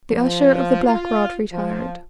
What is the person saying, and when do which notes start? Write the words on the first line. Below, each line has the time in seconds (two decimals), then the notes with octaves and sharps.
The Usher of the Black Rod retired.
0.10 F3
0.83 F4
1.52 F3